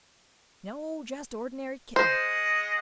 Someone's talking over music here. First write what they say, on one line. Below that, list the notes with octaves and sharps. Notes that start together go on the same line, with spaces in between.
"No; just ordinary kitten."
G#3 C5 D#5 F#5